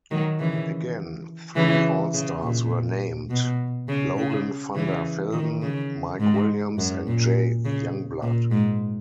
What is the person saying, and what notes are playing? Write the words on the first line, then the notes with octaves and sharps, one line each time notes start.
Again, three all-stars were named, Logan Vander Velden, Mike Williams, and Jay Youngblood.
D#3 F#3
C#3 E3
C#3 E3
C#3
A#2
B2
C#3
C#3
C#3 E3
D#3
C#3
G#2
F#2
A#2
C#3
A#2
G#2